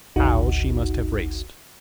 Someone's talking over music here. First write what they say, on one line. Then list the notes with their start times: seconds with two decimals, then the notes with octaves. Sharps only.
How she must have raced!
0.16 G#1 D2 D#4 F#4